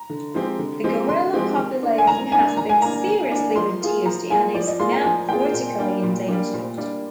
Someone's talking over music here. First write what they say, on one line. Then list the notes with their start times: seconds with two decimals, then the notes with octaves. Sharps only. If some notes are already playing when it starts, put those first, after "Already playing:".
The gorilla population has been seriously reduced and is now critically endangered.
Already playing: A#5
0.10 D3
0.34 F3 G#3 C4 G4
0.59 D3
0.84 F3 G#3 C4 G4
1.08 D3 C6
1.33 F3 G#3 C4 G4
1.58 D#3
1.83 A#3 D4
1.98 G#5
2.07 D#3 A#5
2.32 A#3 D4 G#5
2.57 D#3 A#5
2.69 G#5
2.82 A#3 D4 A#5
3.06 D#3
3.31 A#3 D4
3.56 F3 C6
3.81 A#3 F4 G#4
4.05 F3 A#5
4.30 A#3 F4 G#4 G#5
4.55 F3 D5
4.68 D#5
4.79 A#3 F4 G#4 C6
4.92 A#5
5.04 F3 G#5
5.29 A#3 F4 G#4 G5
5.54 A#2
5.79 G3 A#3 D4
6.03 A#2
6.28 G3 A#3 D4
6.53 A#2
6.78 G3 A#3 D4